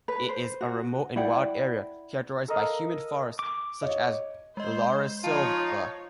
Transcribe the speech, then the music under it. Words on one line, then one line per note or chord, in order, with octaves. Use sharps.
It is a remote and wild area characterized by humid forests, such as "laurisilva".
B4
C5
F#4
E4 D5 F#5 G5
A4 A#4 D#5 F5
D6
C#5 D#5
G#3 C5 D#5
F3 D#4 F4 C#5 A5